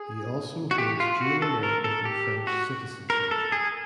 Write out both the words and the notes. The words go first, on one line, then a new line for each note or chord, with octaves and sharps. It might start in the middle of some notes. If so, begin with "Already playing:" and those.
He also holds dual American and French citizenship.
Already playing: G#4
F#4
G4
F4
F#4
A4
A#4
A4
G4
F#4
A#4
A4
G#4